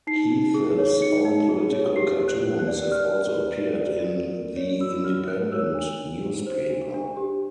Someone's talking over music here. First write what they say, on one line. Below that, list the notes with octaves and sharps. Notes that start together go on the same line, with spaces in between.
Heath's own political cartoons have also appeared in "The Independent" newspaper.
D#4 C7
D#4
G#4
C#5
D#4 C#7
D#4
G#4
C#5
G4 C7
G4
F#6
B4
F#6
D5
G4 F6
G4
B4
D5
F#4
F#4
A#4
C#5
F#4 E6
F#4 F6
A#4 F#6
C#5 E6
D4
D4
G4
C5
D4
D4
G4